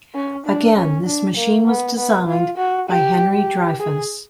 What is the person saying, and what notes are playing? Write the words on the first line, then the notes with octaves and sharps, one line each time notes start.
Again, this machine was designed by Henry Dreyfuss.
C#4
D4
C#4
D4
A#3
B3
B3
F4
F#4
G4
G4
G#4